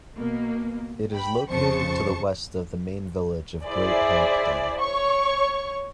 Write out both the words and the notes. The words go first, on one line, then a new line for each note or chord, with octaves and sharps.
It is located to the west of the main village of Great Hampden.
B2 A#3
G5 B5
F2 C#3 C5 A5 C#6 C#7
E4 G#4 C5 D5
C#5 C#6